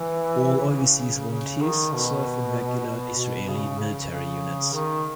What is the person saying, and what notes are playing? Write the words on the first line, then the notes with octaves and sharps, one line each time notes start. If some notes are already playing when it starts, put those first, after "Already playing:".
All overseas volunteers serve in regular Israeli military units.
Already playing: E3
C#3
C#3
D#3
B2
B2
B2
C#3
C#3
C#3
D#3